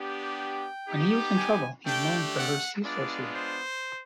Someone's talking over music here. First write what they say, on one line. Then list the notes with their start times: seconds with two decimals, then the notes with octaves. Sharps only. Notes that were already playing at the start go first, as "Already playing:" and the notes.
When he was in trouble he moaned to her ceaselessly.
Already playing: B3 D4 G4
0.39 G5
0.87 B3 D#4 G4
1.36 G#5
1.85 A3 D4 G4 G5
2.35 F#5
2.83 G#3 B3 D4 F4 D5
3.32 C5